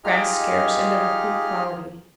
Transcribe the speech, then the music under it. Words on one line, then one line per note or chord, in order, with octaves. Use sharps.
Grass scarce and of a poor quality.
D#4 F4 G4 G#4 D#5 F6